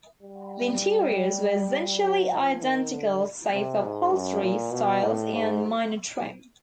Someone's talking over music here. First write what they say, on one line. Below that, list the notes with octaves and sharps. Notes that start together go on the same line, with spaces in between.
The interiors were essentially identical save for upholstery styles and minor trim.
G3
F#3
F3
D#3
D3
C3
G#2
F#2
A#2
B2
A2
G#2